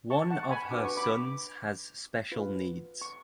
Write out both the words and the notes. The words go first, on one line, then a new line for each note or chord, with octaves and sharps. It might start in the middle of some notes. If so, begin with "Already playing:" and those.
One of her sons has special needs.
A5 C#6
F#5 A5
C#6
G#5 B5
D4 F#4 B4 D6
C#6
B5 D6
F4 B4
C#6